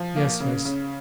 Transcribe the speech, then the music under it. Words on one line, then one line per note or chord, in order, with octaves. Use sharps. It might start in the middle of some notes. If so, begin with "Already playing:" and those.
Yes, yes.
Already playing: F3
A#3
C#3
C#3